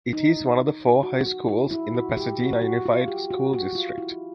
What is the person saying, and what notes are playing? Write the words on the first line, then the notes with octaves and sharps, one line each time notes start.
It is one of four high schools in the Pasadena Unified School District.
D#4
F#4
F#4
E4
E4
F#4
G4
F#4
F#4
F4
G4
F#4
F#4
F4
E4